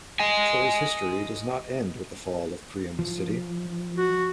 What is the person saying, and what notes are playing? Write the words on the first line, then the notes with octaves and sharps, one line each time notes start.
Troy's history does not end with the fall of Priam's city.
D#5 G#5
F3
F#4